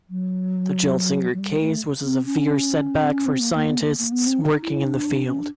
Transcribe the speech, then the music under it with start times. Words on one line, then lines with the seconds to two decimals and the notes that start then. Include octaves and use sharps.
The Gelsinger case was a severe setback for scientists working in the field.
0.10 F#3
1.33 F#3
1.38 G3
1.60 A3
2.04 C4
2.25 C#4
3.01 C4
3.11 C#4
3.25 C4
3.40 A#3
3.54 A#3
3.69 B3
3.80 A3
3.84 A#3
3.98 A#3
4.12 B3
4.26 C4
4.41 D#4
4.62 E4
4.84 D4
5.27 C#4
5.39 D4